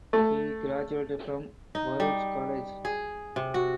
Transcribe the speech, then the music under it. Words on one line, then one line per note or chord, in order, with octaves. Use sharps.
He graduated from Baruch College.
A3
D#4
G3
G#4
C3
F#4